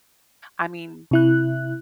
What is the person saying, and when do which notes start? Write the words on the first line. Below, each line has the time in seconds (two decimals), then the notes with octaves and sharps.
I mean,
1.11 C3 E4 F#6